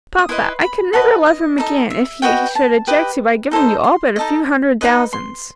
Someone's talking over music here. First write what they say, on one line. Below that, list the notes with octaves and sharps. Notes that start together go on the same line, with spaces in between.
"Papa, I could never love him again, if he should object to my giving you all but a few hundred thousands."
D#6
E4 B4 D#5 C6
B5
F#4 B4 D#5 A5
D#5
D#4 A4 D#5
E5
F#4 B4 D#5 G5
A5
G4 B4 D#5
D#4 A4 C5 D#5
C6
D#4 A4 D#5
D#4 G4 B4 D#5
C6